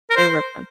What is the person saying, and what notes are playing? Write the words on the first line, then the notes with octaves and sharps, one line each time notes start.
They were fun.
A#4
C5